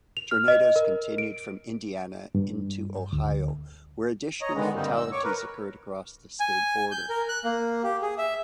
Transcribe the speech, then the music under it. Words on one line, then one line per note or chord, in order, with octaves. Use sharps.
Tornadoes continued from Indiana into Ohio where additional fatalities occurred across the state border.
F7
F6
D#5
A#4
D7
G2
D2
C#5 D#5 A#5
D3 D#3 G#3 B3
G2 D3 G3 A#3 C4 D#4
E6
C#5 C#6 D6
A#4 B4
G#5
G6
A#4
F#6
A#3
G4
G#4
E5